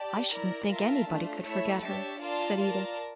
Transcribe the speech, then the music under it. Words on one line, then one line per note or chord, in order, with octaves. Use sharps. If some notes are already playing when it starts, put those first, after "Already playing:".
"I shouldn't think anybody could forget her," said Edith.
Already playing: G4 D5 A5
E4 A#4 D5
F4 A#4 E5 A5
A3 D4 F4
A3 E4 A4 C#5 E5
D4 G4 C#5 E5 A5
F4 A#4 D5 A5
F4 A#4 D5 A5